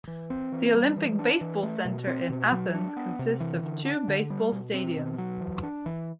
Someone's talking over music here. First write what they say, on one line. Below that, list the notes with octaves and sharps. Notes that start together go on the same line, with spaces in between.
The Olympic Baseball Centre in Athens consists of two Baseball stadiums.
E3
C4
E3
G3
E3
D4
E3
A3
B2
C4
B2
F#3
D4
B3
C3
E3
D3
D4
D3
G3
B2
C4
B2
F#3
E3
D4
E3